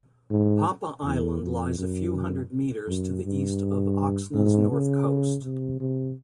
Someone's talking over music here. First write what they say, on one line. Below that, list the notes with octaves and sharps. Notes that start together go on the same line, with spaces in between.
Papa island lies a few hundred metres to the east of Oxna's north coast.
G#2
E2
F2
F#2
F#2
G2
G#2
C#3
C3
C3